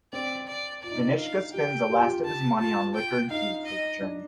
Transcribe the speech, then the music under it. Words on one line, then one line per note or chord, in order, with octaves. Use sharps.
Venichka spends the last of his money on liquor and food for the journey.
C4 D5
D5
F4 D5
D#4
D4
D#4
F5
G4 G5
G4
F4
G4
A5
F4 A5
G5
D#4 F5
D#5
D4